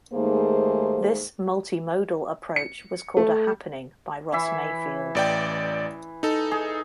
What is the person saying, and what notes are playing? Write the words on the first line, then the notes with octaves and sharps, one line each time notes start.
This "multimodal" approach was called a "happening" by Ross Mayfield.
D#2 G#2 A3 A#3 G#4 C5
C#7
A3
E3 E4 E5
A1 D5 G5
D#4 A4
G#4